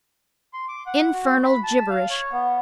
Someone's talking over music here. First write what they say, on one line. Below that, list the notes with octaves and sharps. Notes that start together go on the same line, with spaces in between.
Infernal gibberish!
C6
D6
F#5
F#4
B5
A5
F5
C#5
B3